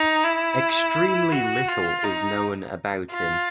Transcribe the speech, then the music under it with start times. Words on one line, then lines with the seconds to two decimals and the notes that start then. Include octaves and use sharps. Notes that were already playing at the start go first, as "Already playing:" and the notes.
Extremely little is known about him.
Already playing: D#4
0.24 E4
1.32 F#4
1.68 F4
2.04 D#4
3.11 F4